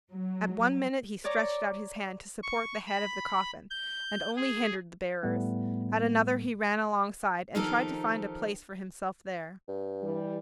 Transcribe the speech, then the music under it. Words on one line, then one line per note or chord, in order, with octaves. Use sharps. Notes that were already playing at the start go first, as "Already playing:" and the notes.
At one minute he stretched out his hand to support the head of the coffin and only hindered the bearers, at another he ran alongside and tried to find a place for himself there.
F#3
C#5 D5 A#5 D6
C#6
B5
G6
G#4
A2 G3 A3 B3
D#3 F3 D#4 G4 A4 A#4
G2
E3 G3